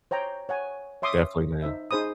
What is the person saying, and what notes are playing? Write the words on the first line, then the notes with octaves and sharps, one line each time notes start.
Definitely, man.
C5 C#5 G5 A#5
C#5 F#5 G#5
C#5 E5 C6 D6 D#6
D#4 C5 E5
D#4 G#4 C5 B5 D#6